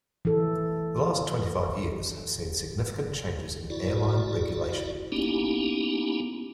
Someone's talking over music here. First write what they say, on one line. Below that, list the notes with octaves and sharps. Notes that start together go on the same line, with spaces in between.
The last twenty-five years have seen significant changes in airline regulation.
E3 A4
E4 F#4 D5
A#3 B3 C#4 D#4 E4 G4